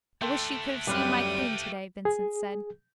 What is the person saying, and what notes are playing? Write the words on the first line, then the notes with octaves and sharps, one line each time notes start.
I wish you could have seen my queen today, Vincent said.
A3 D4 A4 G5 C6
F#2 G3 G4 B4 F5 G5 D#7
G#4